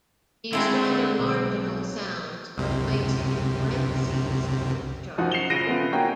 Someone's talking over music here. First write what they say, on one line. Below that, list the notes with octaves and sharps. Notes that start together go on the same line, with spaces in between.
These rather marginal sounds are placed in parentheses in the chart.
D3 G#3 A3 C4 E4
B1
C2 F#2 C3
F#2 F3 D#4 F#4
C7 C#7 E7 F7 G7
C#3 F3 A#6 C7 D7 D#7
A3 B3 F4
A#3 C#4 D#4 F#4 G5 A#5